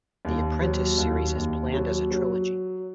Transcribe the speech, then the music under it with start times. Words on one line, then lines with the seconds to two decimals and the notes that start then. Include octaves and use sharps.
The "Apprentice" series is planned as a trilogy.
0.25 D#2
0.62 F#3
0.98 D#2
1.36 D#2
1.73 F#3
2.11 F#3